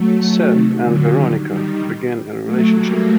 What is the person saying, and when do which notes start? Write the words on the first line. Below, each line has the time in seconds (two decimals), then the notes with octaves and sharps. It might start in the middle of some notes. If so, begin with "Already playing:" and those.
Seth and Veronica begin a relationship.
Already playing: F#3 A3
0.50 C3 D#3
0.83 D3 F#3
1.14 D#3 G3
1.47 D#3 G3
2.44 F#3 A3
2.75 G3 A#3